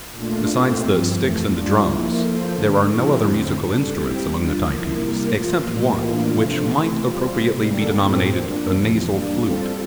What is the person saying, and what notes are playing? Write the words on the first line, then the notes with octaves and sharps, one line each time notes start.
Besides the sticks and the drums, there are no other musical instruments among the Typees, except one which might appropriately be denominated a nasal flute.
A#2 A3 D4 F4
A#2 A3 C4 F4 C5
G2 F3 C4
F2 E3 A3
G3 D4 F4
F3 A#3 E4
F3 A#3 F4 A4 C5
D3 A3 D4
D3 F3 C4 E4 G4
E2 D3 F3 C4
G3 D4 A4
G3 C4 E4 G4
G3 D4 F4
D3 F3 A#3 E4
C3 G3 A#3 E4 A#4
F3 A#3 F4
A2 E3 G3 A#3 F4
A2 E3 A#3 D4 F4
C3 F3 A3 D4 F4
C3 E3 A3
G3 C4 F4
C3 G3 C4
D3 G3 A#3 D4 A4
A2 F3 C4
F3 A#3 D4
E2 C3 F3
G3 A#3 D4
G3 C4 F4 A4